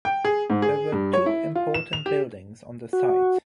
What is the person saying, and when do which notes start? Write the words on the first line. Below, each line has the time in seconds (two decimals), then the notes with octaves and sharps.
There were two important buildings on the site.
0.05 G5
0.25 G#4
0.50 G#2
0.62 G#4
0.92 G2
1.13 C#5
1.26 E4
1.55 F4
1.74 E7
1.93 F7
2.06 G4
2.93 F#4